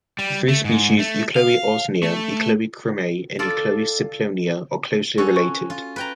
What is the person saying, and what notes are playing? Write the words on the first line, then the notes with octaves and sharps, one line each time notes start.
The three species "Euchloe ausonia", "Euchloe crameri" and "Euchloe simplonia" are closely related.
G3
A3
G#2
A3
F5
A3
F4 A4 D5
C#4 F#4 A4 C#6
C#6
F4
B4 G5 A#5